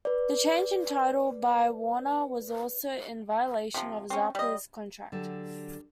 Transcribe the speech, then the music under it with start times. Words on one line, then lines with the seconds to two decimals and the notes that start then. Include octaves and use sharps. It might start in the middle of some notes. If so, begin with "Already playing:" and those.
The change in title by Warner was also in violation of Zappa's contract.
0.05 B4 D5
3.74 C3 F3
4.10 C4 C#4
4.35 G3 D#5
5.12 D3 F#3 G4 A5